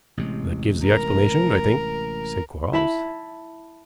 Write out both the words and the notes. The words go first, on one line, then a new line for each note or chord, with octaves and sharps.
"That gives the explanation, I think," said Quarles.
A1 C3 G#3
A#4
E4 E5 A5 B5